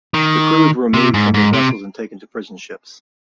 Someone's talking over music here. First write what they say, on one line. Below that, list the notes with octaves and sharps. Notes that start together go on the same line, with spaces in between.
The crews were removed from their vessels and taken to prison ships.
D#3
C3
G#2
G#2
C3